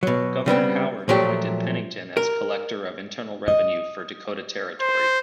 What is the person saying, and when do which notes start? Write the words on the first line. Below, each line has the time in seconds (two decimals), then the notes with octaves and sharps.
Governor Howard appointed Pennington as collector of internal revenue for Dakota Territory.
0.03 B2 F#3
0.46 C#3 G3 B3 C4
1.09 A#2 F3 F#3 A3 G4
2.17 A#4
3.48 D#5
4.81 C5